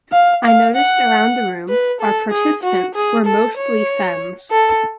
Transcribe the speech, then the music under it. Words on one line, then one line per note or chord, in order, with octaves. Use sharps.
I noticed around the room our participants were mostly femmes.
F5
F5
F#5
B4
A4
G#4
F#4
G#4
A4
C#5
A4